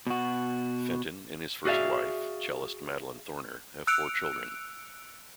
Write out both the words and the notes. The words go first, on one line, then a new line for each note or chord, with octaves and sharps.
Fenton and his first wife, cellist Madeline Thorner, have four children.
B2 F#4
F#4 G#4 D5 E5 F5
E6 F#6 C#7 D7 F7